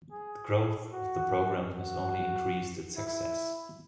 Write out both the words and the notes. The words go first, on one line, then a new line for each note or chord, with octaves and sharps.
The growth of the program has only increased its success.
G#4
F#4
F#4
E4